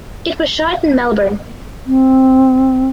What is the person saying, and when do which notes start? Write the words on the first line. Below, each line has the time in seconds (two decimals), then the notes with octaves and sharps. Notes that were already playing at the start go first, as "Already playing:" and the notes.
It was shot in Melbourne.
1.86 C4